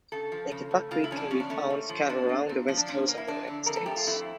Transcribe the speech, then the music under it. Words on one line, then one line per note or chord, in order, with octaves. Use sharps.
Naked buckwheat can be found scattered around the west coast of the United States.
C#3 A4
F3
C#3
A3
C#3 F4
E4
F3 C#4
D4
C#3 C#4
D4
A3 C#4
A#2
F3
A#2 D4
A#3
A#2
F3
D4
A#2 C#4
A#3
E4
F2 D4
D3
F2 A#4
A4
A3 G4
F4
F2 E4